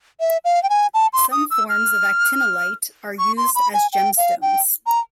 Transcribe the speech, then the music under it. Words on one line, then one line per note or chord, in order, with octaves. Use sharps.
Some forms of actinolite are used as gemstones.
E5
F5
G5
G#5
A5
C6
D#6
E6
F6
C#6
C6
B5
G#5
G5
F5
G5
A#5